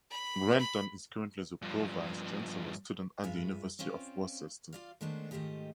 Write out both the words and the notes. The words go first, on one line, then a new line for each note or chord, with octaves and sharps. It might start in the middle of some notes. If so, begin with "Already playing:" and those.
Renton is currently the Pro Vice Chancellor Students at the University of Worcester.
B5
B5
G2 F3
G2 G#3 F4 E5 G#5
C4 C#4 F4 C5 D5
F4 D5 F5
D#3 G#3 A3 B3 D4 C5
G#2 D#3 A3 F4 G4 D#5